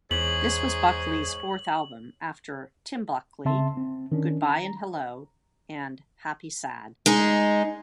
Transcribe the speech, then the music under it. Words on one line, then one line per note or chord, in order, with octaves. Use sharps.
This was Buckley's fourth album after "Tim Buckley", "Goodbye and Hello", and "Happy Sad".
E2 G#2 G#4 C#5 F#7
C#3 C4 E5 A5 C6
C4
D#3 C#4 D4
A#5
G#3 D#4 G#4